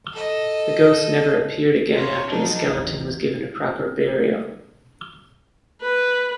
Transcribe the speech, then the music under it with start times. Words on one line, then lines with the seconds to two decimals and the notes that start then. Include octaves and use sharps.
The ghost never appeared again after the skeleton was given a proper burial.
0.13 A4 D#5
1.94 F4 C#5
2.30 F3 F#3 D4 D#4
2.64 A1 E2
5.82 B4